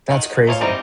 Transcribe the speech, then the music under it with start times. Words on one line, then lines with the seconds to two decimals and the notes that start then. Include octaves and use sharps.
That's crazy.
0.10 D#3 F#5
0.47 A#3 F4 C#5 F5
0.61 E3 G3 C4 D#4 A#5